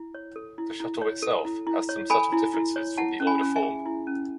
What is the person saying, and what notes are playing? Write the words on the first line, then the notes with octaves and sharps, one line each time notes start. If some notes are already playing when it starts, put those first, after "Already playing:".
The shuttle itself has some subtle differences from the older form.
Already playing: E4
C#5
A4
E4
E4
C#5
A4
E4
E4
C#5
A4 G#5 B5
E4
E4
C#5
E4 F#5 A5
C#4
G#5 B5
C#4
E5 G#5
G#4
E4
C#4